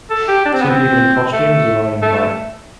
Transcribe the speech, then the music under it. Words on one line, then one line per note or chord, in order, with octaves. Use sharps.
Two people in costumes are riding a bike.
A4
G4
D4
C4
B3
C4
A3
A3